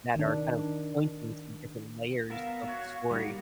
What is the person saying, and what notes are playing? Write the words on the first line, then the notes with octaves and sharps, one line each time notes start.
that are kind of pointing to different layers of the story.
D#3 D4
B3 A#4 E5 F5
F#4 C#5
G3 D#4 F#4
A#3 F4